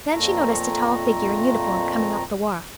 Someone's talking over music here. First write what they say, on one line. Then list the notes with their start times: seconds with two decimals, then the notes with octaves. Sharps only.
Then she noticed a tall figure in uniform coming up the wharf.
0.10 F2 A#2 A3 A#5